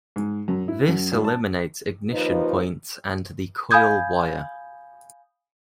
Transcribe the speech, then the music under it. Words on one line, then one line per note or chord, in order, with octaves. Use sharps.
This eliminates ignition points and the coil wire.
G#2
F#2
E4
F#2
G#1
A5
D#2 F3 D#4 F4 B4
F5 G#5 B5 D#6 G6 G#6